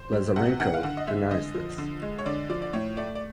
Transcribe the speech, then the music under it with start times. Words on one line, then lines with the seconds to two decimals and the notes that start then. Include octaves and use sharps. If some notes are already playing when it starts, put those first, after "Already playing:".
Lazarenko denies this.
Already playing: C5
0.13 G3
0.36 C3 F#5
0.60 D#3 F#5
0.74 F5
0.83 D3 F#5
0.97 D#5
1.07 G#3 E5
1.31 D3 D#5
1.55 F3
1.78 D3
2.02 G#3
2.19 C#5
2.26 D3 D5
2.49 F3 D5
2.62 D5
2.73 A2 C#5
2.97 A3 D5
3.15 D5